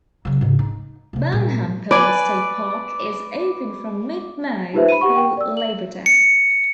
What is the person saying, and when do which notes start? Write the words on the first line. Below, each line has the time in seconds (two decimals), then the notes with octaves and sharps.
Burnham Point State Park is open from mid-May through Labor Day.
0.25 C#3 F#3
0.41 G#2 C#3
0.59 D#4
1.13 C3 F3
1.32 A#2 G3
1.91 B4 D5 G#5
4.73 D#4 F4 G4 B4 C5 E5
4.88 B5 D#7
5.01 G4 F#5 C#6
5.16 G5
5.37 D5 E6
5.57 F#7
6.06 C#7